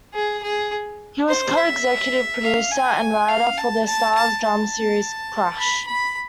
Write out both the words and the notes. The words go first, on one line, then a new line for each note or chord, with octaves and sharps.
He was a co-executive producer and writer for the Starz drama series "Crash".
G#4
G#4
C5
E5
F5
G#5
F5
A5
A5
A5
A5
B5
B5